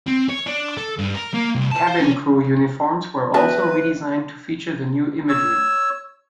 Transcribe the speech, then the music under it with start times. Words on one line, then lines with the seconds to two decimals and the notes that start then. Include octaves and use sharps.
Cabin crew uniforms were also redesigned to feature the new imagery.
0.08 C4
0.30 C#5
0.46 D4
0.77 A4
0.98 G2
1.15 A#4
1.34 A#3
1.55 C2
1.71 A5
1.88 C5
2.00 C#4
3.34 B3 F#4 B4 C5 E5 A5
5.29 C#5 E6